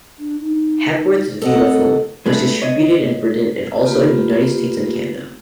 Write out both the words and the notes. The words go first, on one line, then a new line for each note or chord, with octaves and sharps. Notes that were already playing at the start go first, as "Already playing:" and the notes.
Hepworth's vivaphone was distributed in Britain and also in the United States and Canada.
D4
D#4
C4 A4 D#5 F#5
G#3 A3 B3 D4
C#5 D#5
A#3 B3 F4 G4 B4